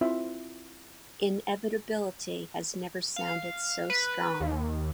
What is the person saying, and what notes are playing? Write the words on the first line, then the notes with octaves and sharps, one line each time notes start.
Inevitability has never sounded so strong.
C4 E4 F4 E5
F5
B4
D#2